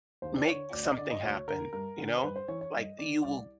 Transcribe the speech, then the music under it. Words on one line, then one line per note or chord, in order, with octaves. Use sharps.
make something happen, you know? Like, you will
D#2 C5
D5
D3 C#5
D2 D5
D#5
D3 D5
D#5
D2 C#5
D3 A#4
G2 A#4
D3
C5
G2 B4
C5
E3 C#5
C#5
G2 D#5
D#3 D5
C2 D5